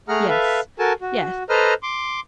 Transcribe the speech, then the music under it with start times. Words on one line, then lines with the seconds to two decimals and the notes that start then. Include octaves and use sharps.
Yes, yes.
0.08 A3 G#4 F#5 A#5 F6
0.29 A4 B4 E5 F5
0.79 F#4 A4 A#4 G#5 A5
1.01 F#4
1.49 A4 B4 C5 D#5 A#5 F6
1.83 C6 D6